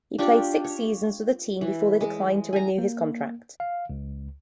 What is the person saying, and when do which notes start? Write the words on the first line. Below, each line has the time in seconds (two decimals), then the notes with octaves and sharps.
He played six seasons with the team before they declined to renew his contract.
0.18 D4 F4 G4 C#6
0.64 C#5
1.61 E3
2.01 G#3
2.53 G#5 A#5
2.78 A#3
3.60 F5
3.90 C#2